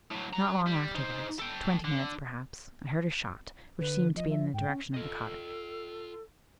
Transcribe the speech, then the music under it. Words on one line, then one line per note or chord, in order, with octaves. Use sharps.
Not long afterwards--twenty minutes, perhaps--I heard a shot, which seemed to be in the direction of the cottage.
A2 F#3
F#3 A#5
G3
D#4 C5
A4 G5
D3
D3 B4
F3 D#5
E5
G#2 G5
C#4
F4 A4 D#5